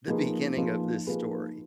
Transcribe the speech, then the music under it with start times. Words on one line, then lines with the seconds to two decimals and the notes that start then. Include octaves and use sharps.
the beginning of this story.
0.08 F3 A#3 D#4 G#4 B4
0.57 F3 A#3 D#4 G#4 B4
1.07 F3 A#3 D#4 G#4 B4